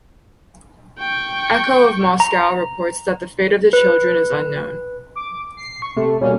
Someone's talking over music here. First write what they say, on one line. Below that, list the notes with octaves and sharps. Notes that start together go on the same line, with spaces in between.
Echo of Moscow reports that the fate of the children is unknown.
G5 C#6
A#5
B4
D6
C7
C#6
C3 A3
B2 G3 A#3 C#4